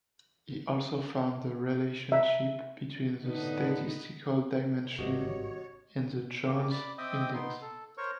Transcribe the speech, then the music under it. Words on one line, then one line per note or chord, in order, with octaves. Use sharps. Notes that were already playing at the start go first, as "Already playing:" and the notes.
He also found the relationship between the statistical dimension and the Jones index.
E5
A2 D3 B3 D#4 B4
G#1 G2 C3 F#4 G4 C#5 D#5
A#3 G4
D5 B5
C4 D#5 E5 G5 D6 D#6
B3 D#4 C6
A4
A#4 C5 C#5 C#6